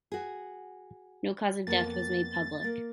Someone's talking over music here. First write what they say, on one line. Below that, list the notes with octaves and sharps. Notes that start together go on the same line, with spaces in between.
No cause of death was made public.
F#4 G#4
F2 A#3 B3 A6
A#3